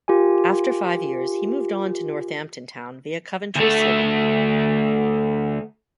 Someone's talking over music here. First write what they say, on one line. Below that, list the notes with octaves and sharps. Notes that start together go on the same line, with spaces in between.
After five years he moved on to Northampton Town via Coventry City.
F4 G4 A#4 G#5
D2 A3